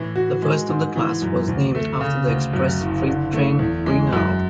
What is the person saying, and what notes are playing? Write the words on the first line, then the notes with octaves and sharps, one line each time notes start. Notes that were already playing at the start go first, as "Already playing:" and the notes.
The first of the class was named after the express freight train "Green Arrow".
Already playing: A2 E3
F#4
G#3
G#2
E3
F#2
D2
A3
C#3
D2
F#2
F#1
D3
A3
E2
G#3
F#2